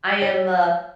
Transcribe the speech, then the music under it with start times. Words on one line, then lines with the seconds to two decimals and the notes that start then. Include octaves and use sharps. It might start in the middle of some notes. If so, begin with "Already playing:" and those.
I am, uh
0.22 C#5